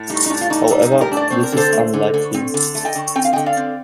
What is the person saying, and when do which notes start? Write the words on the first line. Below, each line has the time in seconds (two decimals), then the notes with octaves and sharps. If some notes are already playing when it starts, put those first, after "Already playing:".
However, this is unlikely.
Already playing: A2
0.10 G3 D#4
0.26 D#4
0.30 A2 D4
0.41 F4
0.50 D4 D#4
0.70 G3 D#4
0.86 D#4
0.92 A2
1.01 G4 A#4
1.11 D4
1.17 D5
1.30 C4 C5
1.43 A#4
1.52 D3 A4 C5
1.73 A3
1.93 D3
2.14 D3
2.34 C4
2.54 D3
2.75 A3
2.85 D#5 G5
2.95 D3
3.15 C4 G5
3.25 F5
3.33 D3 D#5 G5
3.46 D5 F5
3.57 C4